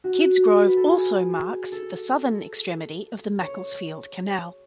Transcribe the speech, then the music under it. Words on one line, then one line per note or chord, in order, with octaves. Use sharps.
Kidsgrove also marks the southern extremity of the Macclesfield Canal.
F#4
B4
A4
G#4
A4
C#5